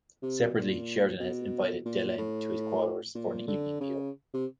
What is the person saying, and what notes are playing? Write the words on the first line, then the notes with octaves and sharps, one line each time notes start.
Separately, Sheridan has invited Delenn to his quarters for an evening meal.
C3
B2
A#2
B2
A#2
A2
A#2
D3
C#3
C3